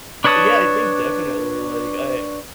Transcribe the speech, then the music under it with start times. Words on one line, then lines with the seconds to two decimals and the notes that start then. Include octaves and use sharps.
Yeah, I think definitely. Like, I
0.24 D4 B4 C#5 A5 D#6